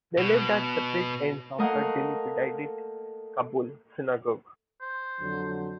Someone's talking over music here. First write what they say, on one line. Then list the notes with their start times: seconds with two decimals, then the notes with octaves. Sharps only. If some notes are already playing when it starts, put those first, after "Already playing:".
They lived at separate ends of the dilapidated Kabul synagogue.
0.18 B2
1.58 A3 A#3 A#4 D#5 F5 F#5
4.81 C5
5.19 F2 D3 F#3